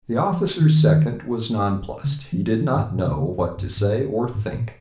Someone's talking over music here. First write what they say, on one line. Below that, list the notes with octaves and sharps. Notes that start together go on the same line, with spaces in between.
The officer's second was nonplussed; he did not know what to say or think.
F3
D#3
C#3
F3
F3
G#2
A#2
C3
C#3
F2
F#2
G#2
G#2
A#2